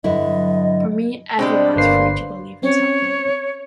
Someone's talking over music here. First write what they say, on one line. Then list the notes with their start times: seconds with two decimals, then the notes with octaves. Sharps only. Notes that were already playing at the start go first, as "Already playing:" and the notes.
For me everyone's free to believe in something.
0.04 G2 D3 F#3 E4 D#5
1.39 B2 G3 G#3 C4 D4
1.76 G1 A#3 B4 C5 C7
2.63 C4 C#4 C#5